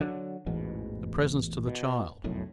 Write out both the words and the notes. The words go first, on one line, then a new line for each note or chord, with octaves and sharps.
The presents to the child!
D3 F#3
A1 E2 G#2 B2
B2
F1 B1 F#2 A2